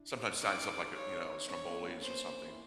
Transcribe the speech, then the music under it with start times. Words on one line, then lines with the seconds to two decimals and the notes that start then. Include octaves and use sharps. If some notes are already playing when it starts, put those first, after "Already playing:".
sometimes Italian stuff like, uh, you know, strombolis or something.
Already playing: D4 E4
0.40 C#4 D#4 D5
0.94 C#5
1.40 D#4
1.47 C4 D4 C#5
1.66 B3 C#4
1.83 A#3 C4
2.01 B3 C#4 C5
2.47 E4